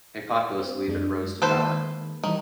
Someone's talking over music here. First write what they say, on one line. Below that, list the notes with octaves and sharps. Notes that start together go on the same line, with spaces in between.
A populist leader rose to power.
C4
F#2 G#3 D4
D#3 G#3 A#3 A4 B4 C5
D#3 E3 G3